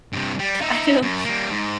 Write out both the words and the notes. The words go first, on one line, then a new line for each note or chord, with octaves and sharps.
I don't,
G2 C3
G3
D#4 E5
F#2
G3 A#3
G#2